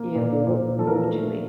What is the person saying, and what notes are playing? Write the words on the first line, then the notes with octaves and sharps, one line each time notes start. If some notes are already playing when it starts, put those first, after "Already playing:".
you know, what what would you think?
Already playing: A#3
A#2
A#2
F3 A4
A#4
A4
A3